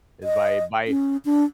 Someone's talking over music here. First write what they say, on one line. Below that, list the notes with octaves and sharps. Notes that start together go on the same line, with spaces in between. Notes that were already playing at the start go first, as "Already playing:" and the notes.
is by by
D#5
C#4
D4